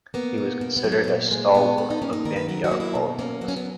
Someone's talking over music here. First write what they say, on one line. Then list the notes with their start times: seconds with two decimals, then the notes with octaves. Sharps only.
He was considered as stalwart of Vanniyar politics.
0.14 A#3 B3
0.38 B2
0.61 B2 A#3
0.77 B3
0.84 F#3
0.92 A#3
1.04 B3
1.08 A#2 A#3
1.31 G#3
1.55 A#2 B3
1.77 A#2 B3
1.90 D#4
2.02 A#3 C#4
2.13 D#4
2.25 D#3 A#4
2.36 B4
2.48 F#3 A#4
2.64 F#4
2.71 A#3
2.80 E4
2.95 B2
3.19 A#3 C#4
3.41 F#3 B3
3.48 C#4
3.56 B3